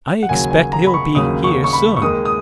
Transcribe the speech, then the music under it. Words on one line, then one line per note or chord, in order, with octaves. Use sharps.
I expect he'll be here soon.
F#5
D#2 C#3 F#3 G#5
G#5
A#5
B5
C#6
D#2 C#3 F#3 D#6
C#6
C#6
B5
C#6
D#2 D#3 G#3 D#6
D#6